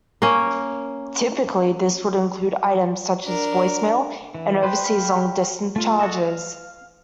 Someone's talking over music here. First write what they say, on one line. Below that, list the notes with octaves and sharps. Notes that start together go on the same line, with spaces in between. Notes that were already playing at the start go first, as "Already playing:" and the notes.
Typically this would include items such as voice mail and overseas long distance charges.
A#3 C#4
D4 A#4
E3
G4 B4 C5
G4 F5 B5
A3 F4
F#4 A4 D#5 E5
F5